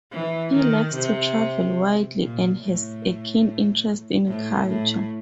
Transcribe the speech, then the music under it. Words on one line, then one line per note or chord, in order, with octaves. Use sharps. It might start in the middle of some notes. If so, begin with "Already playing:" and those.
He likes to travel widely and has a keen interest in culture.
E3
D#3
C3
A#2
A2
A2
A2